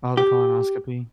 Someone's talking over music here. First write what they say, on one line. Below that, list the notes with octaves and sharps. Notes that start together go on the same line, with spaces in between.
Oh, the colonoscopy.
G4